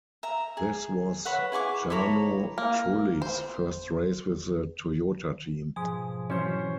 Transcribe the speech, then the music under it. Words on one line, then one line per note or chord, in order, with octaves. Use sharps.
This was Jarno Trulli's first race with the Toyota team.
E5 A#5
G#4
B4 C#5 E5 F#5
E4 G#4 C#6 D6
E4 A4 C#5 A#5
A#3
C5
G#2 B2 F3 G#4 G#5
E3 F#3 C#4 C5 C6 C#6